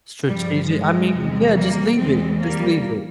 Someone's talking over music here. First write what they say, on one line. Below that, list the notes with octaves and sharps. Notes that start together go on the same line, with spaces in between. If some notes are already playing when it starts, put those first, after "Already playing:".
Strategi I mean, yeah, just leave it, just leave it.
G2 F3 G3
G#3
E2 C3 F3
G3 A#3
E2 E3 G3 G#3 C4
G3 A#3